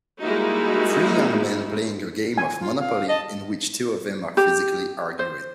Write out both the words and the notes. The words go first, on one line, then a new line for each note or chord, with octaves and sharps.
Three young men playing a game of Monopoly in which two of them are physically arguing.
G3 G#3 A#3 D#4 E4 F#4
G#5
F4
F5
D#5 A5
G4
C5